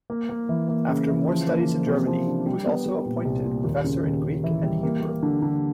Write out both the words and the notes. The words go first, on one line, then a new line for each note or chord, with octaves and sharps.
After more studies in Germany, he was also appointed professor in Greek and Hebrew.
A#3
A#3
E3
A#3
C#3
E3
F3
A#3
F3
C3
F3
D4
G3
B3
G3
A#2
C2
A#2
D#2
C#3
D#2
C#3
E3
G3
A#3
A#3
D3
D3